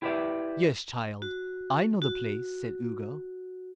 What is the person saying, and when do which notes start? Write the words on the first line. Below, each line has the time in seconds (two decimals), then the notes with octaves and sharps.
"Yes, child, I know the place," said Ugo.
0.02 E4 G4 B4 C#5 D5 E5
1.22 F#4
2.02 F#4